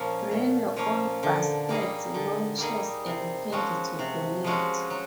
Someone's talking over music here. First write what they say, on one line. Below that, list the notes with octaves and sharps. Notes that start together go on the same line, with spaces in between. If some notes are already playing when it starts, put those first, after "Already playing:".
Bring your own baskets, lawn chairs, and candy to donate.
Already playing: A#2 F3 A#3 C#4
A#2
F3 A#3 C#4
D3
G3 A#3 D#4 G#4
D3
G3 A#3 D#4 G#4
C3
F3 G#3 C#4 F#4
C3
F3 G#3 C#4 F#4
F#3